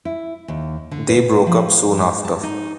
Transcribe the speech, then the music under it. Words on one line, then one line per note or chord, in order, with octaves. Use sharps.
They broke up soon after.
E4
D#2
D3
B4
F3
G#2
A5
D#4